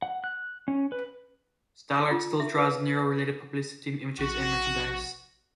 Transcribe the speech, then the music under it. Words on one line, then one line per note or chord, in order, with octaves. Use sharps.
Stallaert still draws "Nero"-related publicity images and merchandise.
F#5
F#6
C#4
B4
F4
E5
B4
A#1 F#4